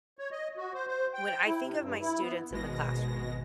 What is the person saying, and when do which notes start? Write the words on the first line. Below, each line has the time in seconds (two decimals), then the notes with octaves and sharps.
when I think of my students in the classroom,
0.19 C#5
0.32 D#5
0.57 F#4
0.74 C5
0.87 C5
1.14 G5
1.47 E4
1.61 C3
1.80 G2
2.00 E4
2.21 B3
2.51 G#1 B2 G#3 A#6